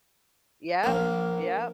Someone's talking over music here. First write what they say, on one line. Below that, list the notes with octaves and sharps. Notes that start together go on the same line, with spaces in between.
yup, yup.
A#1 A#3